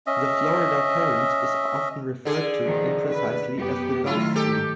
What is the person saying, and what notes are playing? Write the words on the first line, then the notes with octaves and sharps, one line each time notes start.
The Florida Current is often referred to imprecisely as the Gulf Stream.
C#4 D#5 E5
D3 G#4
D#3 F3
B4
F#2 B3 G4
A2 D#3 F#3 E4 F4
G4 A4